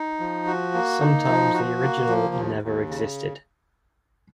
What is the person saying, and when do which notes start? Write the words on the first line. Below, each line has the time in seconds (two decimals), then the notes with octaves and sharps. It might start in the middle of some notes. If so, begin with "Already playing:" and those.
Sometimes the original never existed.
Already playing: D#4
0.20 F3
0.46 F#4
0.74 A#3
1.01 D#4
1.27 F3
1.54 F#4
1.81 A#3
2.08 F3
2.35 D#2
2.62 D#2
2.89 C#3